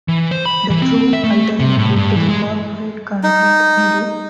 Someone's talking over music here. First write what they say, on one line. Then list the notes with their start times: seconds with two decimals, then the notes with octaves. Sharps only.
The True alternative to the corporate controlled media.
0.08 E3
0.31 C5
0.45 B5
0.70 E3
0.82 C4
1.13 E5
1.24 A3
1.60 C3
1.77 A2
1.96 G2
2.16 E3
2.29 G#3
3.23 D#4